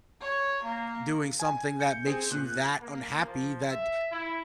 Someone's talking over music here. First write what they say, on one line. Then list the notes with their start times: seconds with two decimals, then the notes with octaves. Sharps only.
doing something that makes you that unhappy, that
0.21 C#5
0.63 A#3
1.40 G#5
1.80 G6 C#7
2.06 C4 G#4
2.31 A#2 F#6
2.81 A#3
3.27 F3
3.71 E5
4.12 E4